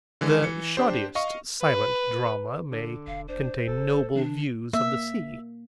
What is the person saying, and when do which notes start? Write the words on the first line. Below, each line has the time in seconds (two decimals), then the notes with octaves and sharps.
The shoddiest silent drama may contain noble views of the sea.
0.21 D3 E3 G#3
0.42 E3 C#7
0.77 D4 G4 C5
1.15 D#5 F5 C#6
1.61 B4
2.71 D3
3.07 E1 F5
3.28 D4 C5
3.68 E1 A4
4.15 D#3 D4
4.73 A#3 E5